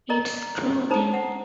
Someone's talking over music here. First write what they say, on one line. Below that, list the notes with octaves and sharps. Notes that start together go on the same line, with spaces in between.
It’s true, then!
A#4 D5 D#5 A#5
D4 D#4 C5 A#5 D#6
F#5